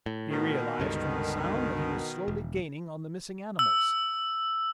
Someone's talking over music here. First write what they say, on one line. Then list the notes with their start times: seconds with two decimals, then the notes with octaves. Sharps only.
He realized from the sound that he was slowly gaining on the missing animals.
0.06 A2
0.31 B2 D#3
0.80 C#2 G2 D3
2.28 E1
3.59 E6